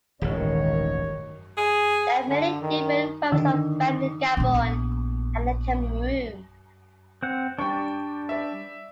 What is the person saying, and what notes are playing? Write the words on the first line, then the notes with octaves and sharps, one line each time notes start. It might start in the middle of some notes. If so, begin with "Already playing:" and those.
There are many different variants of Fang in Gabon and Cameroon.
D#1 A1 G#2 D#3 C#5
G#4
D3
D#3
D3 D#3 E6
A#1 B3
C4 F#5
G3 D4 G5 C#6
D5 E5